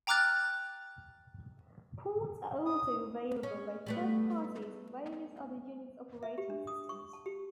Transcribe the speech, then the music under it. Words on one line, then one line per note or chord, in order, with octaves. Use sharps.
Ports are also available by third parties for various other Unix operating systems.
G5 A#5 D6 F6 F#6 A6
D#6
C#4
G3 A3 B3
E5
G4
D4
D#6
C#6
A5
G4